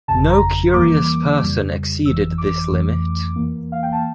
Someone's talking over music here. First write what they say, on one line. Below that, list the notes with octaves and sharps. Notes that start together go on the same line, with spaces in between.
No curious person exceeded this limit.
G1 F2 C#3 A5
A#5
E2 E3 G3 A#3 D6
F2 C#3 G3
G1 F2 E3 E6
D6
F2 E3 A3
E2 E3 A#3
F5
G5
A5